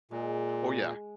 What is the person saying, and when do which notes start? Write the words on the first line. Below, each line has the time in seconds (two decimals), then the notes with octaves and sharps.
Oh, yeah.
0.11 A#2 G#3